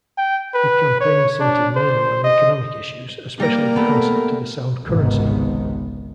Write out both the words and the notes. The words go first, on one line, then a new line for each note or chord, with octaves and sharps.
The campaign centered mainly on economic issues, especially the concept of a sound currency.
G5
B4
C#5
D4
C5
D#5
G3 A#3 A#4 A#6 D7
A3 B3
G#1 C#2 G#2 C3 D#3 B3